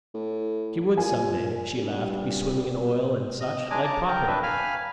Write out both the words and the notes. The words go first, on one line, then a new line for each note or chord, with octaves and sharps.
She would some day, she laughed, be swimming in oil and such like property.
A2
A#2 G#5
G2 A#2 G3
D#5
G#3 D4 G#5 A#5 D6
A5 A#5 D6
A#4 G5 A#5
D4 B4 E5
F5 G#5 B5 F6